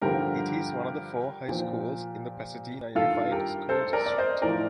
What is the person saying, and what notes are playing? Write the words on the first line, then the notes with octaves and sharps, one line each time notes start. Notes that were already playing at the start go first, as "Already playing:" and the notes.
It is one of four high schools in the Pasadena Unified School District.
G2 D3 F3 G4 A#4
A#2 F3
G2 D#3 F4 A4
G4 A#4
A4 C5
A#4 D5
D5
C5 D#5
A2 F3 A#4 D5